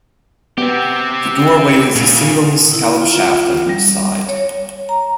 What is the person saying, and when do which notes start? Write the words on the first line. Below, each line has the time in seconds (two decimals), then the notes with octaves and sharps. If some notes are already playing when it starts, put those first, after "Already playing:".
The doorway has a single-scallop shaft on each side.
0.58 B3 C4 G4
1.95 D2 A#2 C#3
2.73 E4
3.02 F4
3.69 G3
4.29 C#5
4.89 A#5